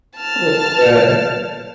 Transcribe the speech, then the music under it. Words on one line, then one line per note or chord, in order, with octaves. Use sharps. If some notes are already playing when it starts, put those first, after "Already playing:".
Oh, man.
A5 F6